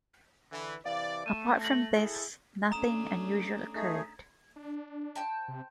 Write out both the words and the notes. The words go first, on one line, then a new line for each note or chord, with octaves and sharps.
Apart from this, nothing unusual occurred.
D3 E3
C3 E3 D5 F5
A3 D#7 E7
A#6 F#7
E4 G#4 A4
A3 C#4 D4 A#5 D#6 E7
F3 A3 D#4 G#4
D4
C5 G5 A5
C3